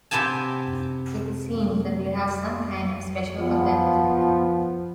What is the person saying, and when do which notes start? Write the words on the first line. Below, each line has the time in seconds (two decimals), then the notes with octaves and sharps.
It seems that we have some kind of special effect.
0.11 C3 B3 G4 G#5 A5
3.38 F3 B3